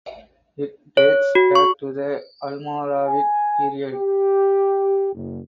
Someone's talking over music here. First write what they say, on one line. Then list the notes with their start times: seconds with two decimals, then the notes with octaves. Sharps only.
It dates back to the Almoravid period.
0.97 C#5
1.35 F#4
1.55 C#6
3.07 G#5
3.90 G4
5.14 F#1